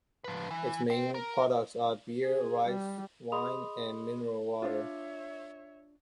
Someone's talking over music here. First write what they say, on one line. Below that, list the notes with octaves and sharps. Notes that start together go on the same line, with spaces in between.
Its main products are beer, rice wine, and mineral water.
F3 B4
E3
C5 G5
A#4
G#4
G3
G#4 D#5 B5 C6 D#6 F7
D4 F4 C#5 E5